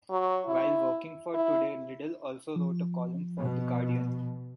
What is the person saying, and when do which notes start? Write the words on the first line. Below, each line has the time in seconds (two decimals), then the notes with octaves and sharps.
While working for "Today", Liddle also wrote a column for "The Guardian".
0.11 F#3
0.46 E4
1.34 E4
2.56 F3
3.38 B2